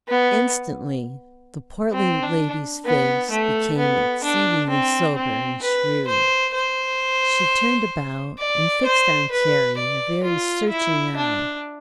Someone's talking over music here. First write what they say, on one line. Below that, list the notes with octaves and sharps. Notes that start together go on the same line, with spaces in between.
Instantly the portly lady's face became exceedingly sober and shrewd. She turned about and fixed on Carrie a very searching eye.
B3
C4
D4
B3
A3
B3
D4
C4
C4
B4
C5
C5
D5
C5
B4
D5
F4
E4
D4